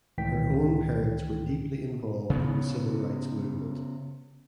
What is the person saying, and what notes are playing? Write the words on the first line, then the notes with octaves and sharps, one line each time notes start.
Her own parents were deeply involved in the civil rights movement.
C#2 A2 D#3 E3 G5 B6
C#3 B3